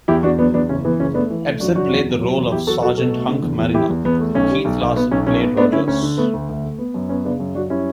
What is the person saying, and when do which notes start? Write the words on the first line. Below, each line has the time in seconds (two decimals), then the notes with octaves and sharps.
Ebsen played the role of Sergeant Hunk Marriner; Keith Larsen played Rogers.
0.08 E2 E4 G4
0.23 E2 D4 F#4
0.39 F#3 B3 D4
0.54 E2 B3 D4
0.69 F#1 C#4
0.85 E3 B3
1.00 F#1 C#4
1.14 A3 B3 D4
1.30 E3
1.45 A3
1.60 F#2 D4 F#4
1.76 F#2 D4 F#4
1.91 E2
2.06 F#3
2.21 F#3
2.37 E2
2.52 E2 E4 G4
2.67 F#3 F#4 A4
2.82 F#3 F#4 A4
2.98 B2 F#4 A4
3.13 A3
3.28 D3
3.43 E2
3.59 E2
3.74 E2 E4 G4
3.90 E2
4.05 E2 B3
4.20 A3
4.34 B1 C#4
4.50 G3
4.65 B1
4.81 B1
4.96 B3
5.11 B1 C#4
5.26 B1 C#4
5.42 B3
5.57 A3 B3 D4
5.72 D3 C#4 E4
5.87 D2 C#4
6.03 D3
6.18 A3 B3
6.33 D2
6.49 D2
6.64 A3
6.78 B3
6.94 F#2
7.09 B3 C#4
7.25 C#3 B3 D4
7.40 F#2
7.55 F#2 D4 F#4
7.70 G3 C#4 E4